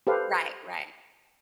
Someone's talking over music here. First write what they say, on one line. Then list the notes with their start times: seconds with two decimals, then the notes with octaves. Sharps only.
Right, right.
0.07 G4 A4 B4 C5 F5